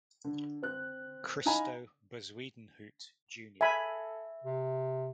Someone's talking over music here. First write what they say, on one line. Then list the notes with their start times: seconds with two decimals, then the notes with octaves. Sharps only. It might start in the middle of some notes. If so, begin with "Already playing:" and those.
Christo Bezuidenhout Jnr.
0.24 D3
0.63 C4 F#6
1.46 D#4 D#5 F5 G#5 A#5 B5
3.61 A4 E5 G#5 B5
4.44 C3